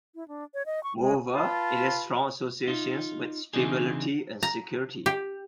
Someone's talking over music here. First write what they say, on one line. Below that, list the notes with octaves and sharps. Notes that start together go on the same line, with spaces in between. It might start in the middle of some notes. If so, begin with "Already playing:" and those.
Moreover, it has strong associations with stability and security.
E4
D4
C#5
D#5
C#6
G#3
F4 B4 A5
D#4 F4
C#3 E3 C4 D4 D#4 G#4
A#5
G4